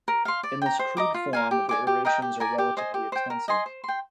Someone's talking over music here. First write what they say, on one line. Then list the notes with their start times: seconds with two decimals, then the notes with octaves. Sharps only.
In this crude form the iterations are relatively expensive.
0.08 A#4
0.25 F5 C6
0.43 D5
0.62 G5 A#5
0.79 C5
0.97 D#5 A#5 D6
1.14 F4
1.33 A#4 F5 G#5
1.51 G4
1.69 D5 G#5 D6
1.87 G4
2.05 A#4 D#5 G5
2.22 G4
2.40 A#4 D5 G#5
2.58 G4
2.77 C5 D#5 G#5
2.94 G4
3.12 C5 G5
3.30 A#4
3.48 D#5 G#5 C6
3.66 C5
3.84 G5 C6